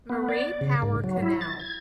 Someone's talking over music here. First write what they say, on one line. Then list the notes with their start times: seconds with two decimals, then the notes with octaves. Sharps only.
Marie Power Canal.
0.10 B3
0.29 D5
0.61 C#3
0.82 G#2
1.04 F#3
1.22 E4
1.41 A6
1.60 G#6